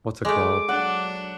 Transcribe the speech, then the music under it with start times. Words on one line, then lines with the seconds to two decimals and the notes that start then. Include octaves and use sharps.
what's it called
0.25 G#3 A3 D6
0.69 F#3 D4 F#5